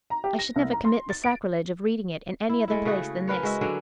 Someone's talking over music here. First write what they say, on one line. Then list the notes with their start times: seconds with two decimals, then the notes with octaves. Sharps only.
I should never commit the sacrilege of reading it in any other place than this.
0.10 A#5
0.24 G4
0.39 A#6
0.56 C2
0.72 A#5
0.85 C6
1.10 A6
1.24 D7
2.49 E4
2.68 G#3 A3 E4
2.85 C#3 A3 F#4 G#4
3.28 C#4 A#4 B4 C#5
3.43 G#3 F#4 E5
3.61 D3 F#3 C#4 D4